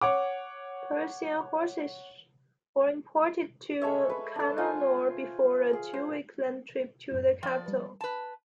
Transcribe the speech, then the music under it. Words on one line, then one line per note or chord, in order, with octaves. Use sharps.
Persian horses were imported to Cannanore before a two-week land trip to the capital.
C#5 F#5 D6
G#3 A4 C#5 E5
B4
D4 A4
F4 C5 C#5 G#5
G#4
C5
F#2 A2
F3 D5 G5 G#6
G3 B4
B4 A5 B5